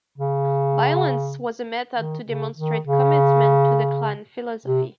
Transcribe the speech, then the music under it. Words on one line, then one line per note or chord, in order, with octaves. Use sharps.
Violence was a method to demonstrate commitment to the Klan philosophy.
C#3
D#3
C#3
D#3
C#3
C3